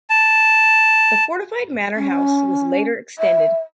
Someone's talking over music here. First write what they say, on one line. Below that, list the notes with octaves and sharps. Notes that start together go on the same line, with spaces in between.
The fortified manor house was later extended.
A5
C#4
E5